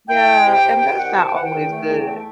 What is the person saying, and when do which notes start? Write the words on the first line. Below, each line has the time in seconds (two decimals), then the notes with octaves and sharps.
Yeah, and that's not always good.
0.08 E4 G5
0.26 E4
0.44 C3
0.62 C3
0.80 D#3 G5
0.98 C2 F#5
1.16 C3 A5
1.26 G5
1.34 D#3 F#5
1.44 G5
1.52 E2
1.69 A3
1.88 E2
2.07 A3